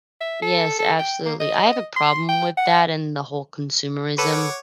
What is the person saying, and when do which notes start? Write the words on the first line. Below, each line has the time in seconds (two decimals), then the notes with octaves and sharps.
Yes, absolutely. I have a problem with that and the whole consumerism
0.21 E5
0.42 A4
0.79 A4
0.99 G5
1.26 A#3
1.40 D#5
1.96 C6
2.29 G5
2.57 F#5
4.18 A4 B4 C#5 F#5 D6